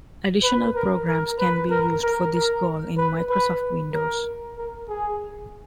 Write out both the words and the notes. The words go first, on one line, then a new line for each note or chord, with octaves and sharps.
Additional programs can be used for this goal in Microsoft Windows.
B4
A#4
A#4
B4
A#4
A#4
A#4
B4
B4
A#4
A#4
G#4